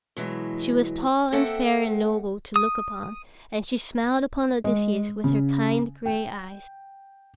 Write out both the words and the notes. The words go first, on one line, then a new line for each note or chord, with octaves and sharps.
She was tall and fair and noble to look upon, and she smiled upon Odysseus with her kind gray eyes.
B2 E3 F#3 G#3
A#3 C4 A4 E5 F#5 G5
D#6
G#3
C#3
G5